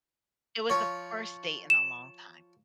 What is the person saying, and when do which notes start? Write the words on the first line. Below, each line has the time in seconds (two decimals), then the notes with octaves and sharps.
it was the first date in a long time.
0.70 F3 C#5
1.70 E7